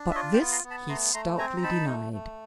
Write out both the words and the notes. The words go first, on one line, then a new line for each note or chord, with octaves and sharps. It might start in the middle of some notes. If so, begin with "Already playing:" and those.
But this he stoutly denied.
Already playing: D4
E5
F4 C#5 D#5
G5 A5
B3
A#5 C6
B3
A5 B5
A3 A#5 C6
A3 A#5 C6
C4 G#5 A#5
A#5
D#4 A5 B5
A3
A3